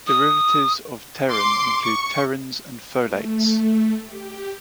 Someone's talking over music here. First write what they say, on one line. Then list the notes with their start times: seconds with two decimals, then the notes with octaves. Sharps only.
Derivatives of pterin include pterins and folates.
0.07 D#6
1.30 C6 D6
1.85 C#6
3.01 A3
4.03 G4